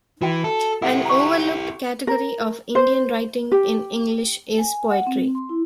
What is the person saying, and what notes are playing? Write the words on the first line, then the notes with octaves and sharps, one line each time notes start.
An overlooked category of Indian writing in English is poetry.
E3 F#4 G5
A4
E4 G4 A4 F#5
A#5 C#6
A#4
C5
G4
G#5
F#5
C4
C6
E4